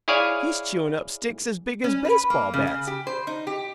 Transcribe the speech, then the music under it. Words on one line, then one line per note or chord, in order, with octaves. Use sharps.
He's chewin' up sticks as big as baseball bats!
E4 G#4 C#5 D5 F5 G#5
C#4
B4
A#3
C#3
C#3
G4
C5
D#4
G4